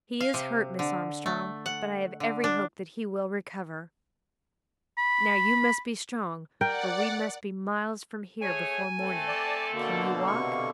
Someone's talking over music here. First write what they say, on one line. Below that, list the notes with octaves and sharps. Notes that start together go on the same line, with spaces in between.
"He is hurt, Miss Armstrong, but I have every hope that he will recover. Now you must be strong, for we must be miles from here before morning. Can you walk?"
F5
C3
D3
A3
F#5
D3
D4
B5
A#4 D5 F#5 G5
A3 G#4 C#5 G#5
A3 C4 A4
D5 A5
B2 D3 A#3
C3 C#6